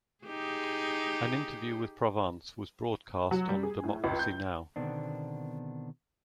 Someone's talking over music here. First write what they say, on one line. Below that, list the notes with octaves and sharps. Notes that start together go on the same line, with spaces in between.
An interview with Provance was broadcast on the Democracy Now!
D#4 G4 G#4
F#3
G3
G#4
A2
C#2
G6
B2 D3 D#3 B3 C4 D4